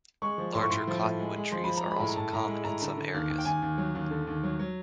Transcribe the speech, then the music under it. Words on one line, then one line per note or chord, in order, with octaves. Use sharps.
Larger cottonwood trees are also common in some areas.
G#3 C#6
F3
A2 C6
C#6
A2 C6
F3
A2
G#3
G#3
F3 C6
F3 B5
A#5
G#3
B5
A2
A#5
A2 A5
A2 A#5
G#3
A2 A#5
D3 A#5
D3
D#2
D#2
G5
D#2 G#5
D#2
F#3
D#2
D3
D#2
F#3
F#3